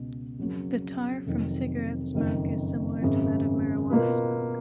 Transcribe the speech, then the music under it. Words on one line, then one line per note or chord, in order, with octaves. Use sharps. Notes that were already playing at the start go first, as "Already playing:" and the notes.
The tar from cigarette smoke is similar to that of marijuana smoke.
Already playing: C#2 B2
F2 C#3 F#3 A#3
F1 F2 D#3 F#3
F#1 F2 D#3
G#1 F#2 C#3
B2 A#3 F4 B4